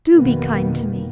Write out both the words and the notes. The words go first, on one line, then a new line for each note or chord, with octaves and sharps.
Do be kind to me.
G1 F2 B2 D#3 A#3 B3